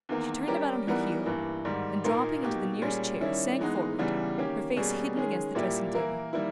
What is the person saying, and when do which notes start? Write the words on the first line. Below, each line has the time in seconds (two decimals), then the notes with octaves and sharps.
She turned about on her heel and, dropping into the nearest chair, sank forward, her face hidden against the dressing-table.
0.09 E2 D#3 A#3
0.48 G3 C#4 G4 A#4
0.87 E3 G3 B3 D#4 A#4
1.26 G2 E3 A#3
1.65 G#2 D#3 G3
2.04 A#2 A#3 D#4 A#4
2.43 B2 A#3 D#4 G4
2.82 A#2 G3 C#4 G#4
3.21 D#3 G3 C#4 E4
3.59 E3 G#3 B3 D#4
3.99 E2 C#3 E3 G3
4.38 D#3 A#3 C#4 G4
4.76 B2 G3 A#3 C#4 G#4
5.16 D#3 G#3 C#4 G#4
5.55 A#2 G3 A#3 E4 G4
5.94 E3 A#3 E4 A#4
6.33 D#3 G3 A#3 E4